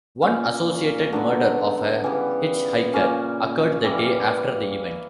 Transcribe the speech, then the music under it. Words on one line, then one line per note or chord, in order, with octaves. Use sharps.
One "associated" murder of a hitchhiker occurred the day after the event.
A#2 A#3 C#4
D3 F#3 B3
C#3 E3 G3 B3
A#2 A#3 C#4
E3 G3 A#3 E4